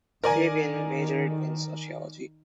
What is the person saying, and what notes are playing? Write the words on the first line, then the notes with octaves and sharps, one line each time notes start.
Fabian majored in sociology.
D#3 A#4 D5 G#5